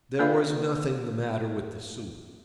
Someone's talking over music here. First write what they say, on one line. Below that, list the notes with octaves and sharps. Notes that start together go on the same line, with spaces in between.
There was nothing the matter with the soup.
A#3 D4 F4 B4 D5 F5